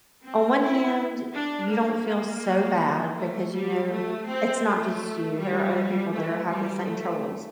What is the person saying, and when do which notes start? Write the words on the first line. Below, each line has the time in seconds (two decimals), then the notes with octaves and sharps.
on one hand, you don't feel so bad because you know it's not just you, there are other people that are having the same troubles.
0.23 C4
0.59 E4
1.33 D4
1.70 A#3
2.08 A#3
3.18 A3
3.54 G3
3.91 A3
4.28 C4
4.65 A3
5.40 G3
6.12 A3
6.50 G3
6.86 A3